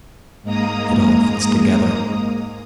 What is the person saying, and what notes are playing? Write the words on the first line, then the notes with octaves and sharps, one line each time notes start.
It all fits together.
G#2 G#3 A#3 A#5 D#6